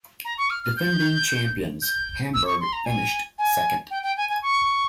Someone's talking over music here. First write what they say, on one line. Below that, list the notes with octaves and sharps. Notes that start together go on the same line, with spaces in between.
Defending champions, Hamburg finished second.
A#5
C#6
F6
F6
G6
G6
E6
C#6
C6
A#5
G#5
G#5
G5
G5
G#5
G#5
C#6